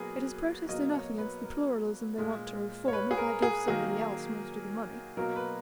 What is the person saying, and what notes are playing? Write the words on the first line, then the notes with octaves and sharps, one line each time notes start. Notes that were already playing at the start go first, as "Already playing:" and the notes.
It is protest enough against the pluralism they want to reform if I give somebody else most of the money.
Already playing: B2 F#3 A#3 G#4 B4
B2 F#3 A#3 D#5
C#5
B4
A#4
A#2 G#3
C#5
B4
G#4
A#4
G#4
D#3 F#3 A#3 G#4
B2 F#3 A#3 A#4
B4